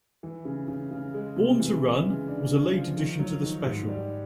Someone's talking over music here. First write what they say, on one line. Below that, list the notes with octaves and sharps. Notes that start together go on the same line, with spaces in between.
"Born to Run" was a late addition to the special.
E3
C#3
C#3
C#3
G#3
C3
E3
G#3
C#3
D4
C#3
F3
D#3
F#3
D#3
G#2
G3